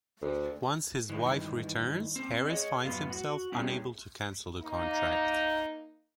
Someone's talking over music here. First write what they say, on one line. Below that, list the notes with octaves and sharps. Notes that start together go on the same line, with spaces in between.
Once his wife returns, Harris finds himself unable to cancel the contract.
D2
G2 D#3 E3
C4
G#4 C#5 D#5
F#2 A2 B3 F4
F#4
G3 B3 C#4 E4 G4 G#4
A#3 D#4